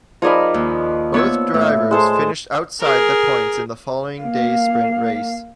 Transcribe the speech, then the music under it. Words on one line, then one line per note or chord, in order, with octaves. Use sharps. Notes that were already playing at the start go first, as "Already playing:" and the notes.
Both drivers finished outside the points in the following day's sprint race.
F3 D#4 G#4 A#4 D5 B5
D#2
B3 C#5 E6
A2
G#3 A4 C5
G#4 A#4
A#3 F5